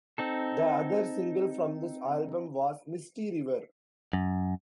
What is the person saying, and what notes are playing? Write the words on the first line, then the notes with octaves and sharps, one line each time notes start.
The other single from this album was "Misty River".
C4 D#4 A4
F#2